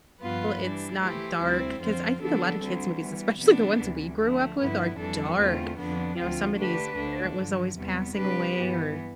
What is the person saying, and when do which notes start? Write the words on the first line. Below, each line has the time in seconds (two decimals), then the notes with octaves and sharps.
it's not dark, 'cause I think a lotta kids movies, especially the ones we grew up with, are dark, you know, somebody's parent was always passing away or
0.20 G2 F3 B3 F4 B4
0.61 E3 G3 D4
1.01 E3 A3 E4 G4 C5
1.40 D2 C3 G3 C4 E4
1.80 F2 D3 F3 C4 F4
2.20 D3 F3 B3 D4 A4
2.60 D2 D3 G3 C4
2.99 E3 G3 B3
3.39 C3 F3 B3 D4
3.79 D2 C3 E3
4.18 D3 F3 A3
4.58 G2 D3 F3 B3 E4
4.98 F2 E3 G3 D4 A4
5.37 E2 D3 A3 C4 F4
5.78 F2 D3 F3 B3 D4
6.18 D2 D3 F3 C4 F4
6.57 D3 A3 D4 G4 B4
6.97 D2 D3 A3 D4
7.37 G2 D3 F3
7.77 E2 C3 G3 B3
8.17 C3 G3 D4 G4 B4
8.56 G2 E3 B3